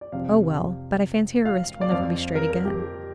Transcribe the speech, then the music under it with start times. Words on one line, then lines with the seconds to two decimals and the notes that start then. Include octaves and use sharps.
"Oh, well, but I fancy her wrist will never be straight again."
0.01 D5
0.12 F2 C3 F3 F5
1.45 F5
1.81 D5
1.90 F2 F3 F5
2.35 A#4
2.50 A#4
2.65 G4
2.80 G4